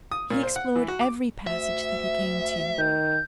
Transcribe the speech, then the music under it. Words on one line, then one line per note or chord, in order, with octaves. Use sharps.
He explored every passage that he came to.
D#6
A#2
C5
F#5
E3
F#4
D6
D2 E5
D#3 G6